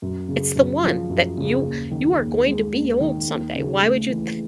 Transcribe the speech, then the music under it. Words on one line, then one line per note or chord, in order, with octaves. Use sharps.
it's the one that you you are going to be old someday, why would you th
F#2
C#3
F#2
F3
F#2
C#3
D#2
D#3
D#2
G#3
D#2
D#3
D#2
C#3
A3
E3